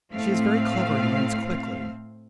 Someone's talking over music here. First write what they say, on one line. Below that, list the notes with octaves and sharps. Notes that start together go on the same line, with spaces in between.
She is very clever and learns quickly.
A2 A3 C4 F5